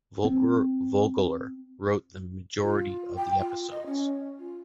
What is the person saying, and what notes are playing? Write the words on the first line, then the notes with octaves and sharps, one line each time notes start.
Volker Vogeler wrote the majority of the episodes.
C4
F4
G5
F4
D#5
C#4
F4